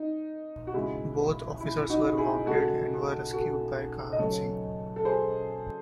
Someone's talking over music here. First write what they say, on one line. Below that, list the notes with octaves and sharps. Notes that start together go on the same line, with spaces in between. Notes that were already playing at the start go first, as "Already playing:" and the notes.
Both officers were wounded, and were rescued by Kahan Singh.
Already playing: D#4
F#4
C#3 E3 G#3 E4
E4
D#4 F#4
E4 G#4
C#3 G#3 F#4 A4
F#4 A4
D#5
C#3 F#3 A3 A4 C#5
A4
G#4 C5